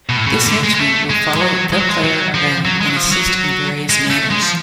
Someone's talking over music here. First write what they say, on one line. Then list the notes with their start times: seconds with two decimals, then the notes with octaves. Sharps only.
This henchman will follow the player around and assist in various manners.
0.09 B2
0.17 A2
0.26 C#3
0.33 B2
0.48 D3
0.64 G#3
0.75 G#3
0.79 A3
1.10 G#3
1.36 G#3
1.41 F#3
1.73 G#3
1.80 F#3
1.89 G#3
2.04 F#3
2.34 F3
2.65 F#3
2.81 G#3
2.89 F#3
2.96 F3
3.12 F#3
3.90 G#3
4.10 A3
4.31 G#3
4.42 F3